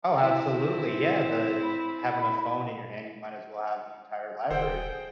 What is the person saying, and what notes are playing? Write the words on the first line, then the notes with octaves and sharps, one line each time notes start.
Oh, absolutely, yeah, the having a phone in your hand, you might as well have the entire library,
C4 E4
B5
D#1 G#4 A4 C5 F#5 G5